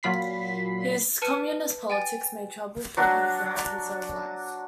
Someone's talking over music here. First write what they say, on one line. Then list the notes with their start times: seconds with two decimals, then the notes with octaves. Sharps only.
His communist politics made trouble for him throughout his whole life.
0.03 A#2 F#3 F4 B5 B6 C7
1.22 B4 A5 F6 C#7 D#7
1.90 G5 G#5 A6
2.97 F#3 D4 F#4